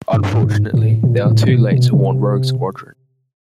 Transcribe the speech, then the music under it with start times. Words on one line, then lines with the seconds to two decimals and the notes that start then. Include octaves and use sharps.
Unfortunately, they are too late to warn Rogue Squadron.
0.13 G2
0.33 A2
0.43 G#2
0.74 A2
1.03 A#2
1.25 A2
1.48 B2
1.72 B2
1.93 C3